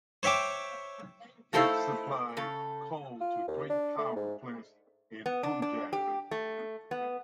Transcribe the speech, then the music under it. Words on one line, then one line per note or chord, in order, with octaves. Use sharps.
It supplies coal to three power pants in Punjab.
C5 C#5 E5 G5 D6
A3 D#4 E4 A4 C5 F5
C#3 A4
F4
D#2
D4
A3
G#2
B3
D4
D4
G4
A3
B3